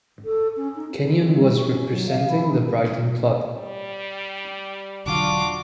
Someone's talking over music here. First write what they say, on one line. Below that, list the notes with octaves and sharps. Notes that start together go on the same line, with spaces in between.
Kennion was representing the Brighton club.
A4
C#4
D#4
C4
C4
G3
F#4
C#4
F#3
F5
E3
D#4
G3
E1 D3 F#3 D4 F4 F#4 D6